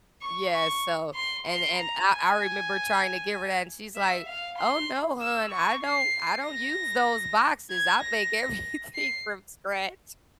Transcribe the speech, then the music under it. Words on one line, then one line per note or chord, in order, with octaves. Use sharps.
Yeah, so, and, and, uh, I remember trying to give her that, and she's like, "Oh, no, hun, I don't, I don't use those boxes. I make everything from scratch."
C#6
C#6
C6
C6
A#5
G#5
E5
F5
C6
E6
C#6
C7
A#6
G#6
A#6
C7